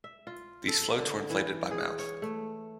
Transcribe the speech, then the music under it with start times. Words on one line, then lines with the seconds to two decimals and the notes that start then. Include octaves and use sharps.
These floats were inflated by mouth.
0.04 E5
0.27 F4
0.68 A4
0.99 D3
1.30 E3
1.71 G#4
1.99 C#5
2.22 A3